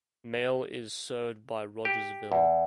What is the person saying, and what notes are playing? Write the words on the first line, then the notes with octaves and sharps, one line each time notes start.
Mail is served by Rogersville.
G4
E2